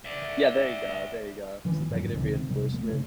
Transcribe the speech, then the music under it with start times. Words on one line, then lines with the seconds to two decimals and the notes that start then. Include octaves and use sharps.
Yeah, there you go, there you go, some negative reinforcement.
0.05 D5 E5
1.65 D#3 E3 A#3 C#4
1.90 F2 G#2 D3 F#3
2.14 D#1 C#2 C3 D#3
2.50 E2 C3 G3
2.73 D#1 A3 A#3
2.88 G2 C#3